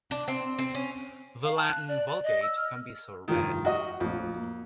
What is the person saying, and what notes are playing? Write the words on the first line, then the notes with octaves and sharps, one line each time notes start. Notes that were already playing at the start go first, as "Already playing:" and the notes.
The Latin Vulgate can be so read.
D4
C4
C4
C#4
F5
A5
F#6
D5
D5
D#5
E6
F6
F1 G2 D#3 F3
F#4 G4 D#5 F#5 D#6
A#1 F2 A2 F#3
A#3